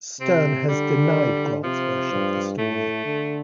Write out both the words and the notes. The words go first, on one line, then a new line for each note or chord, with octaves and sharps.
Stern has denied Grant's version of the story.
C3 C4
D3 G3
C3 F3
G2
A2 A3
D3